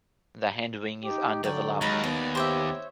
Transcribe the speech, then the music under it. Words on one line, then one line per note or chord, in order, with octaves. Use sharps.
The hindwing is undeveloped.
D#4 G4
D3 F#3 D5 G5
D#2 G#3 D#4 B5
B3 D5
G4 C5 C#5 E5